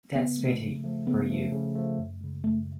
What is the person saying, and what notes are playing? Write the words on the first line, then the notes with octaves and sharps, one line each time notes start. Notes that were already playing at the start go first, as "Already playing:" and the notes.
That's Betty for you.
C#3 B3
F3 A3
C#3
F3 A3
C#3 B3
F3 A3
C#3
F3 A3
F#2
C#3 G#3
F#2 A3